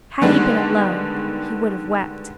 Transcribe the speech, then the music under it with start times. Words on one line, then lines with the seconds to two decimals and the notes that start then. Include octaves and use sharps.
Had he been alone, he would have wept.
0.22 D3 D#3 G3 G#3 B3 D4